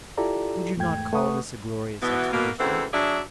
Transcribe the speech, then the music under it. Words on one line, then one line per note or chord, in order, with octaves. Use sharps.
Did you not call this a glorious expedition?
E4 F4 G4 A4 D5 A#5
E2 G#2 A3 G5 G#6
A3 B4 F#5 C#6 D#6
B2 E3 B3
B2 A#3
D2 C#3 E3 C4 A4 F#5
F#3 D4 F#4 G#4 D5 E5